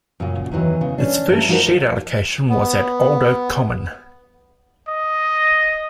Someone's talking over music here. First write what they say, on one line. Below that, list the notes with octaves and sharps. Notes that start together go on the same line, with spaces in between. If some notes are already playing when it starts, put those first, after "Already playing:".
Its first shed allocation was at Old Oak Common.
F#2 A#2 C#3
E2 D#3 E3 F#3
C#3
C#4 D4
G2 F#3 A3
F3 D#4 F#4 G4 A#4 C5
B3
D#5